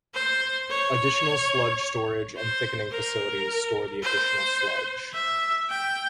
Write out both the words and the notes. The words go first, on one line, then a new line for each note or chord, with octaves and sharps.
Additional sludge storage and thickening facilities store the additional sludge.
C5
C#5
C5
A#4
C5
E5
G5